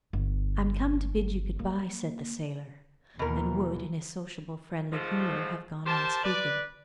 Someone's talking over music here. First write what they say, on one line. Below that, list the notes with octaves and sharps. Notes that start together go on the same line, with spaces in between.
"I'm come to bid you good bye," said the sailor, and would in his sociable friendly humour have gone on speaking.
G1
A#3
D#2 B2 E3 A#4
G#2 F3 A3
G4 A#4 C5 A5
B4 D5